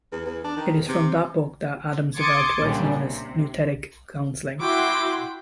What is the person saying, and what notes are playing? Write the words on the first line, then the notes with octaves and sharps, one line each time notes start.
It is from that book that Adams developed what is known as nouthetic counseling.
E2
E2
D4
D#3
E2
C3
C6 D6 D#6 G#6 A6 C#7
F#2 A#2 C#3 G3 C4 D4
C3
E4 F#4 G5 C6 D6